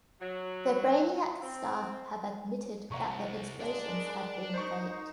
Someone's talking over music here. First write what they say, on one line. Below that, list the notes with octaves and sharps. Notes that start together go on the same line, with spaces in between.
The "Brainiac" staff have admitted that the explosions had been faked.
F#3
C4
C2 F#5 A#5 C#6
G#3 D4
A#4
D#4 C5 C#6